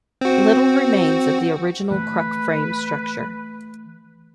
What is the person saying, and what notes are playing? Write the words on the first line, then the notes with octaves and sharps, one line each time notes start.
Little remains of the original cruck frame structure.
C4 F#4
E3 A3 B4